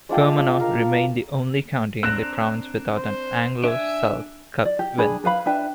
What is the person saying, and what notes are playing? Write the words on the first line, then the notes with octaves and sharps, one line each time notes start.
Fermanagh remain the only county in the province without an Anglo-Celt Cup win.
G#3 D4 F4 G5
A#4 F5
C4 D4 A#5 F#6 E7
C5
D4 E5 G#5
D5
G4
D4 G#4 B5
A4 B4 F5 B5
D4 B4 E5 G5